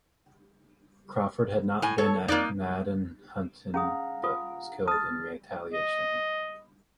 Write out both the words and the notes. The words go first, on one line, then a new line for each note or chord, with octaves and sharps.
Crawford had not been at Gnadenhutten but was killed in retaliation.
A2 G#5
A4 C#5
F2 A#3 D#4 D5 F#6
C#4 G#4 F5 F#5 A#5 D#6
F4 D#6
A5 D#6 F6 A6
D#5